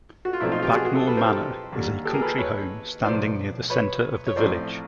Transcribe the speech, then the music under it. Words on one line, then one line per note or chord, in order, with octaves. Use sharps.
Bagnor Manor is a country home standing near the centre of the village.
F#4
F4
B1 A#2 F3 A3 C4 D4 E4
D#4 F4
F4 G4
F#4 G#4
F#4 G#4
G4 A4
A4 B4
A#4 C5
G4 A4
D#2 D3 G3 A#3
G4 A4
G#4 A#4
A4 B4
B4 C#5
B1 A2 F3 C5 D5
B4 C#5
C#5
A1 A2 F3 A3 C4 C5 D5